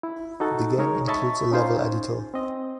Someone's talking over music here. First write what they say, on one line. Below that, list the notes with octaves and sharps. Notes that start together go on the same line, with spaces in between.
The game includes a level editor.
E4
D#4 F#4 A4
G#3 D#4 A#4 C#5
C#5 D#5 E5 A5 B5 C#6
C#4 D#4 F4 C5 G#5
C4 D#5